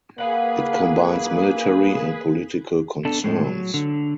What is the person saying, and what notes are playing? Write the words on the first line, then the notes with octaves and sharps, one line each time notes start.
It combines military and political concerns.
A#3 G#4 B4 F5 F#5 B5
B3 D4 A4
A2 G#3
F#3
D3